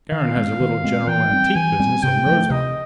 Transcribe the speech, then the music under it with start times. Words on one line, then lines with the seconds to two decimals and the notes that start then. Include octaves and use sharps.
Karen has a little general-antique business in Rosemont.
0.12 D#3 F5
0.36 G#3 C4
0.60 D#3
0.84 G#3 C4
1.07 E3 G5
1.31 G3 C4
1.55 E3 G#5
1.80 G3 C4
2.03 C3 G5
2.26 F3
2.32 A3
2.50 C3 D#5